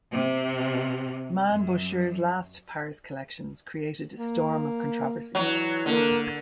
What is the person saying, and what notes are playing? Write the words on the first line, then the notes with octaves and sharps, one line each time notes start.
Mainbocher's last Paris collections created a storm of controversy.
C3
F#2
A#3
E3 F#3
D3 A#3